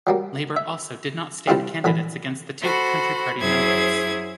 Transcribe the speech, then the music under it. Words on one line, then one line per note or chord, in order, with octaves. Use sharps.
Labour also did not stand candidates against the two Country Party members.
F#3 G3 A#3
E5
C3 G3 E4 F4 A4 C5
A#1 D3 E3 B5
F#4 A4 C5 B5
F#2 F#3 E4 G#4 C5 G#6